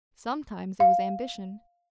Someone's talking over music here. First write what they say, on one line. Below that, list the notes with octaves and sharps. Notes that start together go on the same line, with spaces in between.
Sometimes it was ambition.
F5